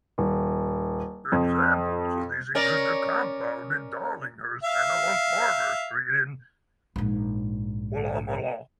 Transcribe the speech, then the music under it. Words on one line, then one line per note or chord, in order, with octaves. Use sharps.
Examples of these include "The Compound" in Darlinghurst and along Palmer Street in Woolloomooloo.
D#1
F2
C#4 A#4 D5
E5 F5
A#1 G#2